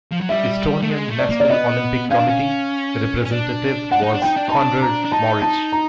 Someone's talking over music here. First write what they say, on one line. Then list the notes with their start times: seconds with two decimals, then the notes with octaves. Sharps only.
Estonian National Olympic Committee representative was Konrad Mauritz.
0.12 F3
0.21 F#3
0.29 G3 E5
0.82 A3
0.90 G#3
1.10 A3
1.19 D5
1.29 A#3
1.40 D5
1.49 B3 D#5
2.11 C#4 F5
2.20 D4
2.29 C#4
3.25 C#4
3.32 D4
3.92 D4 F#5
4.03 D#4
4.14 D4
4.22 D#4 G5
4.37 D4
4.49 D#4 A5
4.59 D4
4.82 A#5
5.05 D4
5.12 D#4 A5
5.42 A5
5.72 A#5